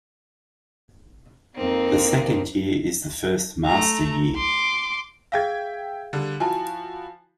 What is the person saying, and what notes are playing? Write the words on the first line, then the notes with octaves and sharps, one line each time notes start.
The second year is the first master year.
F2 A#3 C4 D#4
A3 A#5
C6 D6
G#4 E5 F5 G5 G#6
D3 G3
F3 E4 F#4 G#5 A5